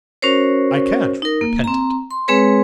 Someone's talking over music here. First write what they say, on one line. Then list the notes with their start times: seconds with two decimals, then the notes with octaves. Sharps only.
I can't repent it.
0.22 C#4 F#4 A#4 C5 C#5
1.22 D#4 A#4
1.41 A#3
1.64 C4 A#5
2.11 C6
2.28 G#3 C4 G#4 B4 C#5